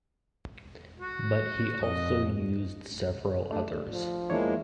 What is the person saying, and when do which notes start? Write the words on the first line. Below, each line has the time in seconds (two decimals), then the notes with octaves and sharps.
But he also used several others.
1.00 F#4
1.82 F2 D#5
3.51 A3 D4
3.92 F3
4.30 E2 G#3 A#3 D4 E4 C#5